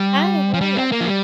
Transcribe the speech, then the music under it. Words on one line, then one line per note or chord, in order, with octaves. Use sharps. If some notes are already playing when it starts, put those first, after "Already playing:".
Hi. How are ya?
Already playing: G3
F3
G3
C4
A#3
F3
G3